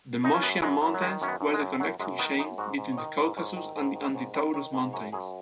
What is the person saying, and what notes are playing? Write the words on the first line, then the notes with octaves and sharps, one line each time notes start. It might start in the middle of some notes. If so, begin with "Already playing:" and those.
The Moschian Mountains were the connecting chain between the Caucasus and Anti-Taurus Mountains.
F#2 D#4
C#4
F#2 B3
F#2 G#3
F#2
F#3
D#3 G#3
F#2 C#4
B3
F#2
G#3
F#2
F#2 F#3
F#2 G#3
D#3 B3
F#2 D#4
G#2 F#4
G#2
C#5
D#3 D#5
G#2
G#2 C#5
D#3
G#2 D#5
D#3
G#2 C#5
D#3
D#3 C#5
G#2
F#2 C#5
F#2 G#4